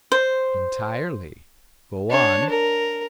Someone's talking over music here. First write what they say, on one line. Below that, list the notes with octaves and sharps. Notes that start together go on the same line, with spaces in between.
"Entirely; go on."
C5
D4 C#5
A#4